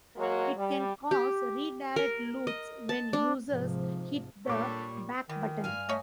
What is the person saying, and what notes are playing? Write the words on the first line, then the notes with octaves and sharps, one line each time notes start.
It can cause redirect loops when users hit the back button.
F#3 G#3 A#3 F#4
G3
G4
A#4
D#5
A5
D4
G#2 C3 F3
A#2 G3 D4 G4 A4 C#5 C#6 D6
D#3 E3
G2 F5 G#5 F6
A3 C#5 D#5